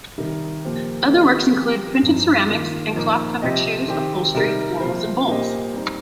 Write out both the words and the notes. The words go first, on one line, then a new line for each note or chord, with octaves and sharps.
Other works include printed ceramics, and cloth-covered shoes, upholstery, walls and bowls.
C3 D#3 G3 D#4 A#4
A#2 F3 A#3 G4 C5
D#3 A#3 G4 D#5
F3 C4 G4
G2 F3 D#4
D#3 A#3 F4
A#2 F3 A#3 D#4
C3 F3 C4 G4 D#5
D#3 C4 G4
C3 G3 D#4 A#4
C3 F3 A#3 F4 C5
A#2 A#3 G4 C5 D#5
G3 C4 D#4 C5